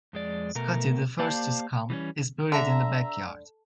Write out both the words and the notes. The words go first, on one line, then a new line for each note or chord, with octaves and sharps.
Scottie, the first to succumb, is buried in the back yard.
F2 G#3 D5
B2 A3 A#4
A#3 G4 C5 D5 F5 A5
E3 G3 B3 C#4
D3 E5 A#5 E6